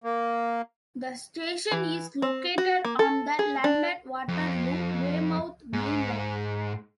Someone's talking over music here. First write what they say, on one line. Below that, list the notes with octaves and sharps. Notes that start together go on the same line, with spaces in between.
The station is located on the London Waterloo-Weymouth main line.
A#3
E3
C4
F#4
A#3
A4
G#4
D4
F2
G#2